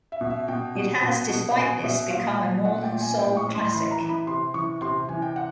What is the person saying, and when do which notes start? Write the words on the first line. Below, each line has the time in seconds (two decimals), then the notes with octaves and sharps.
It has, despite this, become a Northern Soul classic.
0.12 E5
0.21 B2
0.30 E5
0.48 B2 G5
0.75 B2
1.02 B2 A5
1.29 B2
1.56 B2 G#5
1.83 B2 E5
2.10 A#2 F5
2.38 A#2
2.65 A#2 F#5
2.83 G5
2.92 A#2
3.01 G#5
3.19 A2 G5
3.37 C#6
3.46 A2
3.55 C6
3.67 C6
3.73 E3 B5
3.91 A#5
4.01 E3
4.09 B5
4.27 C3 C6
4.54 E3 C#6
4.81 C3 C6
5.08 E3 G#5
5.22 G5
5.36 F#5